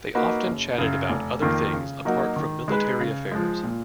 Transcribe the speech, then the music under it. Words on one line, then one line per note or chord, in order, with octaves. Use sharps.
They often chatted about other things apart from military affairs.
A#3 D#4 F#4 B4
F#1
F#2 C#3
F1
F2 D#3 A#3 F4
C#3
F#3 A#3 D#4 F#4
D#3
G#3 D#4 G#4 B4
C#3
F3 G#3
A#2